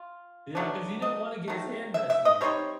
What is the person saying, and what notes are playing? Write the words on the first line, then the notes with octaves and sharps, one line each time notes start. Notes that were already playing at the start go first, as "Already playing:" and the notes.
Yeah, 'cause he didn't wanna get his hand messy.
Already playing: F4
B2 F#3 A3 D4
D#5
D#3 F#3 A3
E5
E5
D#5
G3 C4 D#4 C#5